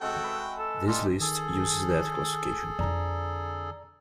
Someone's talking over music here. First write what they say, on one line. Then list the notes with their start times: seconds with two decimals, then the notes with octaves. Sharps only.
This list uses that classification.
0.01 C3 G#3 F#4 A4 G5 C#6
0.24 B4 E5
0.58 A4
0.87 G3 D#4 F4 G4 A4
1.21 D#3 G#4 A4
2.79 F2 D3 D5 A#5